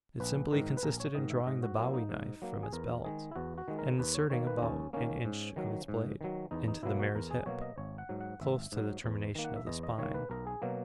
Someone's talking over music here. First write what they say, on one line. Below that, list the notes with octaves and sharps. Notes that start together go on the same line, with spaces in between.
It simply consisted in drawing the bowie knife from his belt, and inserting about in inch of its blade into the mare's hip, close to the termination of the spine.
A#1 B4
G#2 D#3 A#4
B4
A#1 A#4
C#5
G#2 D#3 D#5
E5
G#2 D#5
F#4
F#3 A#3 E4
D#4
G#2
F#3 A#3
G#4
E2 A#4
D#3 G#3 G#4
E4
E2 F#4
F#4
D#3 G#3
A#4
D#2 B4
C#5
D#3 A#3 C#5
B4
D#4
D#2 C#4
D#3 A#3 C#4
G#2
D#3 F#3
G#2
D#3 F#3
E2 D#4
D#4
B2 F#3 A#3 E4
F#4
E2 A#4
G#4
B2 F#3 A#3 C#5
D#5
G#1 C#5
F#5
G#2 F#3
F#5
G#1 E5
G#2 F#3
E2
D#3 A#3
F#5
E5
E2 D#5
D#5
D#3 A#3 C#5
B4
B1 A#4
G#4
B2 F#3 A#3